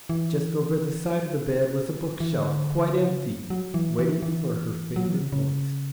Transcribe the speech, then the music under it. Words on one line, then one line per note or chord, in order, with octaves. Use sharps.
Just over the side of the bed was a book-shelf, quite empty, waiting for her favourite books.
E3
E3
D3
C#3
F#3
F#3
E3
E3
E3
F#3
E3
C#3
C#3